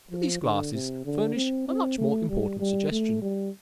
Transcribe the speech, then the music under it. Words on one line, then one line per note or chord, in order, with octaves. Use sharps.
But these glasses furnish a much more important suggestion.
F3
D3
C3
D3
C4
C4
A3
G3
G3
A3
G3